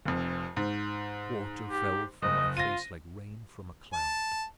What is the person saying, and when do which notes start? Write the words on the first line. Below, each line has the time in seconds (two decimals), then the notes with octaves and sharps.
Water fell from my face like rain from a cloud.
0.05 F1 F2
0.57 G#2
1.71 G4
2.22 F#1 D#5
2.57 F4 A#6 D#7
3.93 A5